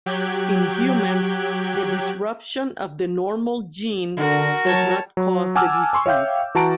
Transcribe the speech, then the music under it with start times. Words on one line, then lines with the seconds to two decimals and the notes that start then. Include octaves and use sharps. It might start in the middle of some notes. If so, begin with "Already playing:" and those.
In humans the disruption of the normal gene does not cause the disease.
0.06 F#3 G4 G5 F#6 G#6
4.17 D3 F#4 A#4
4.66 F#3 C#5 A5
5.17 F#3
5.55 F#5 G#5 A5 D6 E6 F6
5.93 G#5 C6 C#6
6.06 C#5 E5 F5 G5 G6
6.55 E3 F#4 A5 A#5 D7